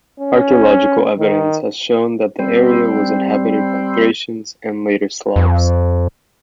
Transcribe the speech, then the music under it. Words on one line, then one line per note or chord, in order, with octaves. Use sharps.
Archeological evidence has shown that the area was inhabited by Thracians and later Slavs.
C#4
D#3
G3 C4
F2